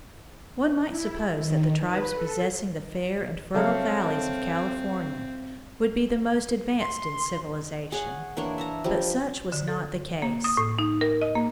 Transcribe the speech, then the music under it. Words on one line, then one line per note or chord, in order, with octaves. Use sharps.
One might suppose that the tribes possessing the fair and fertile valleys of California would be the most advanced in civilization, but such was not the case.
E4
D#3
B4
A4
C#3 F#3 G3 C4 A4 C#5 E5 F5
C6
G#4 C#5 F#5
E3 A#3 D4 C#5
E5 A5 A#5
F3 G3
D3
A4
A#3
D#6
A2
D#4
A#4
D#5
A#3